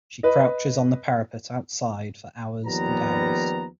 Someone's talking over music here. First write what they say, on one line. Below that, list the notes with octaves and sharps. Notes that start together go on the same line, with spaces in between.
She crouches on the parapet outside for hours and hours.
B4 D#5
D#2 F3 G3 B3 B4 A#5